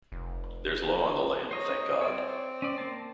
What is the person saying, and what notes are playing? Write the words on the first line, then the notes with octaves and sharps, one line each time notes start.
There’s law in the land, thank God!
F1
C5 C#5 D#5 A#5
C4 C#5 D5
C#4 D5
A#3 C5 A5